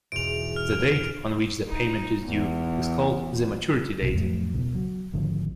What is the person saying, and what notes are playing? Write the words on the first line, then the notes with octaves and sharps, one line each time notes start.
The date on which the payment is due is called the maturity date.
E2 G#2 B2 D7 F7
F6
D#4
E2
B1 C3
F2 A2 F3 F#3
C#2 B2
F#3
G#1 D3 F3